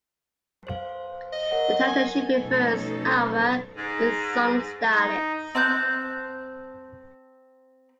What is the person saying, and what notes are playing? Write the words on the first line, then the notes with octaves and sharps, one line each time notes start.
The title she prefers, however, is "song stylist".
C5 F5
D#5
A#4 C#5 F#5
G#5
B2 F3 A3 C#4 D#4 A4
G#2
D#4
C4 A5 F#6 G6